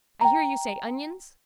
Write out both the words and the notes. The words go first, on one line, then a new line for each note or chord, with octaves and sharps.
I hear you say onions?
G5 A#5